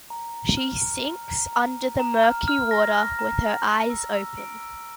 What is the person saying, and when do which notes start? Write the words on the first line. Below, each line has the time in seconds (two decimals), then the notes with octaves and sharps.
She sinks under the murky water with her eyes open.
0.10 A#5
0.34 A#5
0.57 F6
0.82 A#5
1.05 A#5
1.29 A#5
1.53 A#5
1.76 A#5
1.99 A#5
2.23 F6
2.48 F6
2.71 A#6
2.95 F6
3.19 A#5
3.42 A#6
3.66 F6
3.90 E6
4.14 E6
4.37 D7
4.60 E6